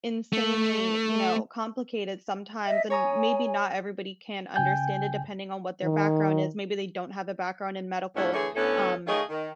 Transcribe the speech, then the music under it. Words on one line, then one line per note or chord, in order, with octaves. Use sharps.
Insanely, you know, complicated sometimes, and maybe not everybody can understand it depending on what their background is, maybe they don't have a background in medical, um,
A3
D#5 E5
C#5 G#5 A#5 D#6
C#3 G5 G#5 G6
D#3
E2 A2 B3 C#4 D4 E4
D3 E3 A3 G#4 C#5
D2 B3 C#4 E4 A4
D#3 A3 F4 G#4 C#5 D#5
D#3